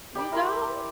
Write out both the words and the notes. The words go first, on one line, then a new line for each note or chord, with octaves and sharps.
You don't?
G4 D5 B5 D6
E4 A#4 B5 C6